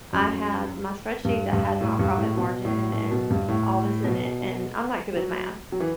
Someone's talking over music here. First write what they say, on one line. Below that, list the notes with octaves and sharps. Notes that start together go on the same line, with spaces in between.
I had my spreadsheet that had my profit margin and all this in it, and I'm not good with math,
F#2
G2
G2
A2
G2
A2
B2
A2
A2
B2
G2
A2
B2
F#3
F#3
E3